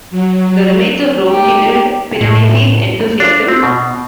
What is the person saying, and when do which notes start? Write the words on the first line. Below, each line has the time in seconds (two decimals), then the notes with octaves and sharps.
The remains of Rome kindled Piranesi's enthusiasm.
0.11 F#3
1.28 D#4 G4
2.21 A2
3.20 D4
3.48 C4
3.63 B2